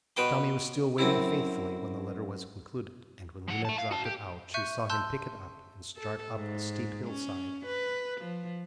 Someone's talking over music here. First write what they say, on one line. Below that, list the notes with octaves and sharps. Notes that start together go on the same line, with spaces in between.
Tommy was still waiting faithfully when the letter was concluded, and when Lena dropped it out she saw him pick it up and start up the steep hillside.
B2 B4 G5 C6
F#2 C4 E4
F3 F#5
E5 A5
F5
F#4 A5
G4
E5 C#6 F#6 G6 C#7 D#7
A5 C6 E6 F#6 G6
A4
G#2
C#4
B4
F3